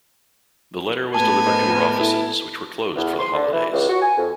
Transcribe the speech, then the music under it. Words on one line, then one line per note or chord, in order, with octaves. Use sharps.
The letter was delivered to her offices, which were closed for the holidays.
A2 B3 G#5 A5
A#4 C5 D#5
E4 A4
E2
C6
D3
E3
C#2
F#4
G#5
F2